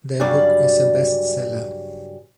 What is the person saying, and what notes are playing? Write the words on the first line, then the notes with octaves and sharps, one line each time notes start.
Their book is a best seller.
G2 C#3 F#3 D5